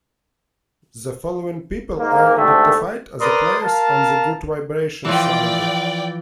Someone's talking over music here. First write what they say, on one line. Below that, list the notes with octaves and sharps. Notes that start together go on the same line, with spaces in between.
The following people are identified as players on the "Good Vibrations" single.
G#2 A#3
D2 G#2 A3 G4
A#4 B4 D5 C6 D#6
A#4 F5 A5
E3 F3 D5 G5